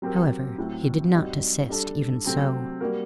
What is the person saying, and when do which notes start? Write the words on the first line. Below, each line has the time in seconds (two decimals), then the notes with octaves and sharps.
However, he did not desist even so.
0.02 F#3 C4 G4 A#4
0.58 A2 F#3 C4
1.14 G3 C4 D#4 F#4
1.69 G3 D4 A4
2.25 C3 F#3 A3 C4
2.80 G3 A#3 F#4 A#4